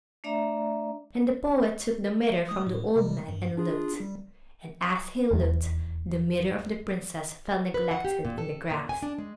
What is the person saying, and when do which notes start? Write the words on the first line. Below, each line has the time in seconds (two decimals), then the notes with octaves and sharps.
And the poet took the mirror from the old man and looked; and, as he looked, the mirror of the princess fell neglected in the grass....
0.24 A3 D4 D5 E5 A#5
2.49 G#3 D#6
2.67 A2
2.96 C3 G3 G#3
3.28 G2
3.57 D4 F4 G#4
4.00 G3
5.31 D#1 E2
7.74 B4
7.91 F#5
8.05 G4
8.25 A#2
8.38 A4
8.70 A#2
8.89 G#5
9.03 D4
9.18 G#3